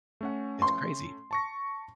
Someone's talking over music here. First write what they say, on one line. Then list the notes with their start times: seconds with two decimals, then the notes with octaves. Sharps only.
it's crazy.
0.21 A3 C#4 F#5
0.62 C6
1.31 A5 C#6 A#6